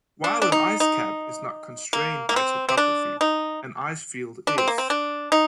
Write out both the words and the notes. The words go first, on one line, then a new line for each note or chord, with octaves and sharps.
While an ice cap is not constrained by topography, an ice field is.
D4
D4
D#4
D#4
A#3
A#3
C4
C4
D4
D#4
D4
C4
A#3
C4
D4
D#4